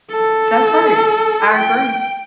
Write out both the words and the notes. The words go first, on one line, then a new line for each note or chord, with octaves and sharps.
That's right. I agree.
A4
G5